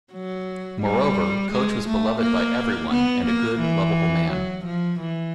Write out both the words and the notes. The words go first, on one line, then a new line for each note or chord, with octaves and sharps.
Moreover, Coach was beloved by everyone and a good "lovable man".
F#3
G3
G#3
A3
A#3
B3
A#3
E3
F#3
F3
E3